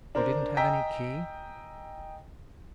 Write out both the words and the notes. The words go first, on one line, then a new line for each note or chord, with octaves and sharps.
"You didn't have any key?"
D4 A#4 C5
D#5 G5 G#5 A#5 E6 B6